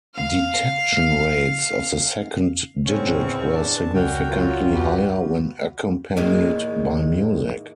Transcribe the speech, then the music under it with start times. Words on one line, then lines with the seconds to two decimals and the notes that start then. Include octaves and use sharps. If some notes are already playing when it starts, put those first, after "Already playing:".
Detection rates of the second digit were significantly higher when accompanied by music.
0.15 F5 F6
2.86 E2 A2 C#3 C4 C#4 C#5 C#6
3.55 D4 A5
3.94 C#2 F#2 F#4 A#4 D5 G5
4.30 F#3 F4
4.74 F#4 G4 B4
6.17 E2 A2 D#3 F#3 G#3 A#3